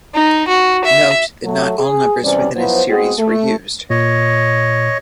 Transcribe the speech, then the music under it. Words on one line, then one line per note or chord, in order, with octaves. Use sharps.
Note that not all numbers within a series were used.
D#4
F#4
E5
F#3 A3
G#4
E2 C3 G3 C#4 C5 D5
F3 F#3 B3 E4 C5
G#3 B3 C4 F#4 G#4
A3
A#2 C#5 D#5